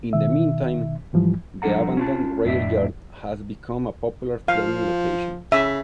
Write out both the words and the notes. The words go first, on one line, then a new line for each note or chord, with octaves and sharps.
In the meantime, the abandoned railyard has become a popular filming location.
B2 D#3 E5
G#2 E3 F3 G3
F3 G3 D4 A4 F#5 A#5
C#4 F4 A5
F2 A2 D4 D#5 E5
F3 F5
C#3 E5